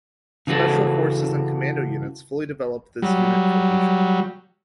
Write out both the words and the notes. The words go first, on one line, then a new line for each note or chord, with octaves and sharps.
Special forces and commando units fully develop this unit cohesion.
C#3 E3 F#4 A4
F#3 G3